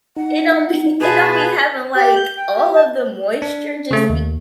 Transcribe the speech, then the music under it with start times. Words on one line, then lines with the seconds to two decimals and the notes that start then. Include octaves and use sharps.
It don't be it don't be having, like all of the moisture just be
0.16 D#4 F#5
1.00 B2 F4 G#4 B4 A5
1.96 G4
2.16 G6
2.37 G5
2.57 G4
2.76 A5
3.42 D4
3.91 C#3 A3
4.10 D#2